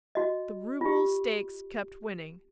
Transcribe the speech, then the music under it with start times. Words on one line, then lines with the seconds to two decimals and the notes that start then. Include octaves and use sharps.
The rouble stakes kept winning.
0.15 F#4 D#5
0.81 F4 G4